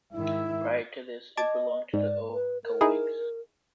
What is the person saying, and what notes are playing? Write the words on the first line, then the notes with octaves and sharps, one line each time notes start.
Prior to this, it belonged to the O'Cowigs.
G#2 D#3 E4 E5
D#5 A5 D6 G#6
G#2 D5
B4
A#4
D#4 E4 G#4